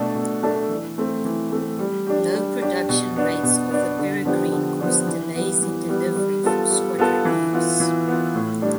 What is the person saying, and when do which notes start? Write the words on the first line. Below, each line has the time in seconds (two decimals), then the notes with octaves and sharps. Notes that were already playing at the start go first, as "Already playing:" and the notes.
Low production rates of the Peregrine caused delays in delivery for squadron use.
Already playing: B2 A3 D4 A4
0.15 B2
0.43 A3 D4 A4
0.70 E3
0.98 A3 C4
1.25 E3
1.52 A3 C4
1.79 G3
2.07 D4 G4
2.34 G3
2.62 D4 G4
2.89 B2
3.16 B3 D4
3.43 B2
3.70 B3 D4
3.98 D3
4.25 F3 B3 D4 G4
4.52 D3
4.80 F3 B3 D4 G4
5.07 E3
5.34 G3 B3
5.62 E3
5.89 G3 B3
6.16 G3
6.43 B3 F4 A4
6.71 G3
6.99 B3 F4 A4
7.25 E3
7.53 B3 F4
7.80 E3
8.08 B3 F4
8.35 A2
8.62 G3 D4